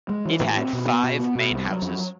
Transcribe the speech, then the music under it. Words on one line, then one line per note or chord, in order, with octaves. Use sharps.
It had five main houses.
G#3
E3
A2
C4
B2
B3
B2
B3
B2
C2
F#3
F2